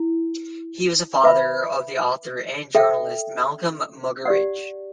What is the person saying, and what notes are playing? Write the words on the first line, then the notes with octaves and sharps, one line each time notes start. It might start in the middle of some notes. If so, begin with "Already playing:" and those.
He was the father of the author and journalist Malcolm Muggeridge.
Already playing: E4
B4 E5 B5
A4 E5 G5
G4 D5 F#5